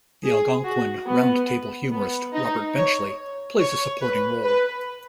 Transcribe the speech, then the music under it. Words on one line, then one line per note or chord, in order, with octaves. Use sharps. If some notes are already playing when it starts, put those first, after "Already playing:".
The Algonquin Round Table humorist Robert Benchley plays a supporting role.
G#4
F#4
B3
B3
D#4
C#5
C#5
B4
B4